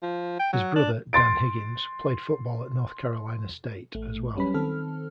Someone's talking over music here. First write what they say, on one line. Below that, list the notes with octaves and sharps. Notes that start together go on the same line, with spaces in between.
His brother, Dan Higgins, played football at North Carolina State, as well.
F3
G5
F#3
D4
C6 A6 D7
A1 A3
F#3 G3 C#4 B4 B5
D#3 C4 A4 F6